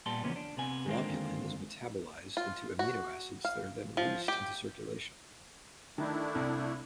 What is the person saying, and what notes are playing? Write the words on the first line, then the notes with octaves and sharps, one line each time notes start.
Globulin is metabolised into amino acids that are then released into circulation.
A#2 G3 B3 A5 C6
E2 C#3 F3 A#3 B3 C#4
D4
C3 B3 G#5
D3 D#3 G#3 A#3 C4 F4
F4
F#4
F5
F3
G4
D#3 A3 D4 E4
C2